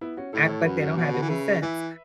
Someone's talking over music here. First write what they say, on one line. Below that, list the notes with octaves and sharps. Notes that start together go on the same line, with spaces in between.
act like they don't have any sense.
B3 E4
C#4 F#4
A2 E4 A4
A4 C#5
F#2 F#4 B4
C#4 F#4
B2 C#4 F#4
F#4 B4
E3
C#3 B4 E5
E3 B4 E5